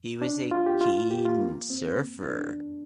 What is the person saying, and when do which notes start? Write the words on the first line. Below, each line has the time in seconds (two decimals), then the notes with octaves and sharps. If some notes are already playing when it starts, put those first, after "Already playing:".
He was "a keen surfer".
0.22 D4
0.51 F4
0.66 G4
0.81 F4
1.11 G4
1.25 F4
1.40 A#3
1.70 C4
2.29 D4